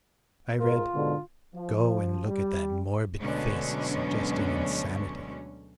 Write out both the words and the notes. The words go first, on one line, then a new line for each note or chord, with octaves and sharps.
I read: "Go and look at that morbid face suggesting insanity."
G#2 F4 A#4
G#2 B2 D3
F3
G3
D2 B2 D3 F#3 G#3 C#4